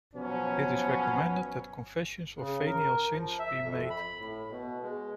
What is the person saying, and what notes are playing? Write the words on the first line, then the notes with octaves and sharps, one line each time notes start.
It is recommended that confession of venial sins be made.
B2 F3 F#3 B3 C#4
C#3
A#4
F3
E5
F2
B5
A2
B2
G#3